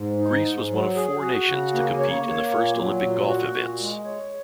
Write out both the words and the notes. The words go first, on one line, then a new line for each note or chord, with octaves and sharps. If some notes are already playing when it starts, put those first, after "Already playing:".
Greece was one of four nations to compete in the first Olympic golf events.
Already playing: G#2
D#4
G#2
F#3
G#4
F#4
C#3
A#3
C#5
A#3
A#2
F#3
A#2
F#4
A#2
G#3
C#5